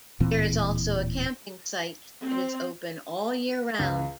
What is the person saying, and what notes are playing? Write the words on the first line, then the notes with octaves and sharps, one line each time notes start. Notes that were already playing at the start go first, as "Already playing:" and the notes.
There is also a camping site that is open all year round.
D1 A#2 E3 C4
C4
C#2